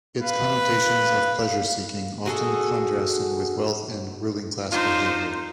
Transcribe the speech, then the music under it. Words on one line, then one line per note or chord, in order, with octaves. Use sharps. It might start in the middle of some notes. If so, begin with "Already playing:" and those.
Its connotations of pleasure-seeking often contrasted with wealth and ruling class behavior.
B4 F5
F#4 G#4 A4
D4 D#4 F4 C5